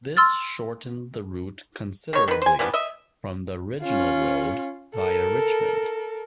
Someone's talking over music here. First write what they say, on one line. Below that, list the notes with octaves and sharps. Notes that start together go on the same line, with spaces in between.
This shortened the route considerably from the original road via Richmond.
C6 E6 F6 A6
D#3 C#5
D#3 B4
C5 G#5
E3 F3 G3 B3
D#5 E5
C#4 F4
A4 A#4